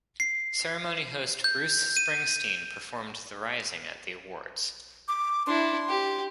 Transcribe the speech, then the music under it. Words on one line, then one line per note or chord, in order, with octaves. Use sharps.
Ceremony host Bruce Springsteen performed "The Rising" at the Awards.
C7
G6
D#7
D6
D4 E4 C6
G4